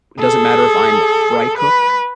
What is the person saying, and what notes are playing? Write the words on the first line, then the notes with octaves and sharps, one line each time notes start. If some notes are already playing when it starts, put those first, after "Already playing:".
it doesn't matter if I'm a fry cook
G#4 A4
B4